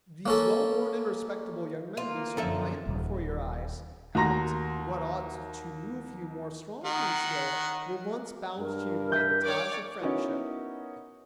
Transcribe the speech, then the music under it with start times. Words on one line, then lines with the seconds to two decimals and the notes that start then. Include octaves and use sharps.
These well-born and respectable young men be suppliant before your eyes and, what ought to move you more strongly still, were once bound to you by the ties of friendship.
0.26 A#3 C#4 A4
1.97 D2 A#3 F4
2.37 F#2 A#2 D3 F3 A4 E5
2.86 D#1 D#3
4.15 D#2 F#4 A#5 C6 A#6
6.84 D#3 F#5
8.59 G2 A#4
9.12 G6 B6
9.45 C#5 D5 D6
10.01 B3 C#4 D#4 E4 F#4 A#4